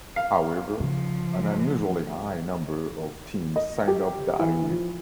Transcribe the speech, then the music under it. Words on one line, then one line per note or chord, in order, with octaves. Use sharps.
However, an unusually high number of teams signed up that year.
F5
C#3 F3
D#5
G4
E3
F3